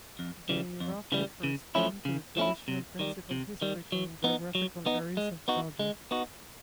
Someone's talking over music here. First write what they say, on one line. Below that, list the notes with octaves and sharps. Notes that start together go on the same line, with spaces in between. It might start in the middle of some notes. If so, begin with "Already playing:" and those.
They roughly correspond to the traditional principal historical and geographical areas of Georgia.
F2
C#3 E3 G3
F2
C#3 E3 G3
C#3
F3 A3 C#4 E4
C#3
F3 A3 C#4 E4
C3
D#3 G3
C3
D#3 G3
F#3
B3 D#4
F#3
B3 D#4
G#3
B3 D#4 F#4
G#3
B3 D#4 F#4